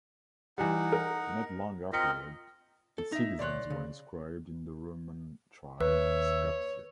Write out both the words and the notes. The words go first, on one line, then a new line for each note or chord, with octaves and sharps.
Not long afterward, its citizens were inscribed in the Roman tribe "Scaptia".
E3 G3 D#4 F#5
A#4
C4 F4 A#4 D#5 B6 C#7
A4
D#4 E5 A#6
B1 C#5 D5 C6 F#6
C#3
D#2 B4 C#5 E5